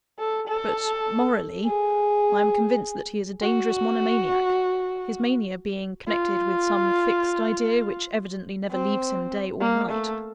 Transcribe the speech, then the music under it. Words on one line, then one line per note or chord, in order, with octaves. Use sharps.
But, morally, I am convinced that he is a dangerous monomaniac; his mania being connected with some fixed idea which evidently never leaves him day or night.
A4
A4
G#4
F#4
F4
C4
A#3
A3